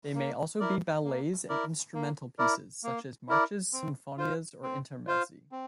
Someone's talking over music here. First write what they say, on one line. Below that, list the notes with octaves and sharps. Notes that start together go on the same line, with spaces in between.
They may also be ballets and instrumental pieces, such as marches, sinfonias, or intermezzi.
A#3
E4 A#4 D5
A#3
E4 A#4 D5
A#3
E4 A#4 D5
A#3
E4 A#4 D5
C4
F4 C5 F5
C4
F4 C5 F5
C4